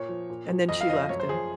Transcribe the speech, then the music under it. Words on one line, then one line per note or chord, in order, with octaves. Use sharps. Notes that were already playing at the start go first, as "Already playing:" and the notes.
And then she left him.
Already playing: A#2 C#5
F3
A#2
F3
F2 D#5
F5
C3 F3 D#5
F#2 C#5
C5
F3 G#4